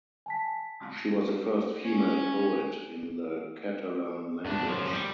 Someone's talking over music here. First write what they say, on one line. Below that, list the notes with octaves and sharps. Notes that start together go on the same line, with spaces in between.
She was the first female poet in the Catalan language.
G#5 A5 B6
C#4
E2 D4
F#2 F3
G3